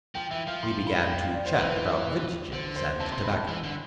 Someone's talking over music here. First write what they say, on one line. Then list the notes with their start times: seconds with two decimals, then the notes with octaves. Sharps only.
We began to chat about vintages and tobacco.
0.15 F3 G5
0.31 E3 E5
0.47 F3 F5
0.63 C6
0.87 B5
1.11 G5
1.22 F5
1.34 D5
1.46 C5
1.57 E3 B4
2.53 D3 C5
2.76 C5
3.00 C3 A5
3.12 C6
3.24 B5
3.35 A5
3.47 E3
3.63 D3